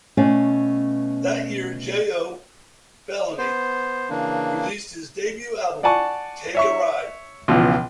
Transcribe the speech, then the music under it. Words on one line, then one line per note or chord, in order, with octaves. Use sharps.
That year, Jayo Felony released his debut album, "Take a Ride".
B2 A3 C#4 D5 F5
B3 C5
C#3 E3 A#3 D4
D5 F#5 G#5 A5 C#6
C#5 E5 C#6
C#2 B2 E3 F3